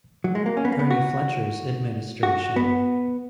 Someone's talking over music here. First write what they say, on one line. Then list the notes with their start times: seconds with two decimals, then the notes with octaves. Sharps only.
Ernie Fletcher's administration.
0.24 F#3
0.35 G#3
0.46 A#3
0.57 C#4
0.65 B3
0.72 A#3
0.79 B3
0.91 F#4
2.23 F#4
2.56 B3